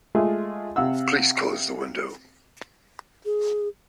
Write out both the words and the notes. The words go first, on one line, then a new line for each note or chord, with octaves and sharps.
Please close the window.
G#3 A3 F4 G#4
C3 F5 F#5 E6
G#4